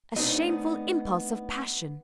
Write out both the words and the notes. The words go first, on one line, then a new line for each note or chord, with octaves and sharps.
A shameful impulse of passion.
A3 B3 C4 D4 D#4 D#5